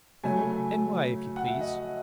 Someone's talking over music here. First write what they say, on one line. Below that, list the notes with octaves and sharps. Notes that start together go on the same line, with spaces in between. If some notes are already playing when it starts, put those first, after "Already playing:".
"Oh, and why, if you please?"
C#3 F#3 A3 G#5
F#5
E5
D#5